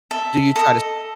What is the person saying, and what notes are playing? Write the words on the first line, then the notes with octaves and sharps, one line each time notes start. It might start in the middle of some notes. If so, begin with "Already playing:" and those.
Do you try to
A4 E5
A4 D#5